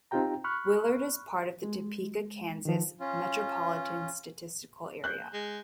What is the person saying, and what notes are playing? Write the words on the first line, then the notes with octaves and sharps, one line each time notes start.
Willard is part of the Topeka, Kansas Metropolitan Statistical Area.
C4 D#4 F4 G4 G5 A#5
B5 C#6 F6 F#6
G#3
D#3 F3
C#4 F4
F#6 G6
G#3